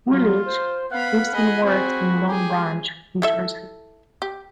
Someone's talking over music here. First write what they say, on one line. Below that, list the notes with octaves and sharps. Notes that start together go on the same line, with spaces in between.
Woolwich lives and works in Long Branch, New Jersey.
F#3 F4
C5
B3 F5 F#5 B5
G#4 D#5 B5
C4 F#4 G#4
G4 G#4
E4 A4 E5
G4